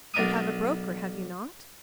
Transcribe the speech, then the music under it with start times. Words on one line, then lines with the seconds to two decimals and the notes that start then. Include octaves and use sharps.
"You have a broker, have you not?"
0.14 B1 D4 A#4 D6 D#6